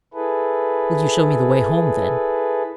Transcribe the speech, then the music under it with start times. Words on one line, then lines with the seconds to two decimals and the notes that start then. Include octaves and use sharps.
"Will you show me the way home, then?"
0.14 E4 G#4 A4 B4